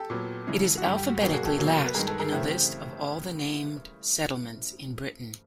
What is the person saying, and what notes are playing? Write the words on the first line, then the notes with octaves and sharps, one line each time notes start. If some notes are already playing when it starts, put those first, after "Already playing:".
It is alphabetically last in a list of all the named settlements in Britain.
Already playing: G4 A4
A#2 F#3 B3
C#3 E3 G#3
F#4
G2 D3 G3 G4
G4
F#4
B2 F#3 A#3 G4
F#4 G#4
G4 A4
B2 F#3 A#3
B4
G2 D#3 G#3 G#4 A#4
A4 B4
G#4 A#4
C#3 E3 A3 C4 G4
G4